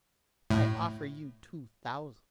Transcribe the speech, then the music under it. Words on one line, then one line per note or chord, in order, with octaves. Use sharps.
"I offer you two thousand."
A2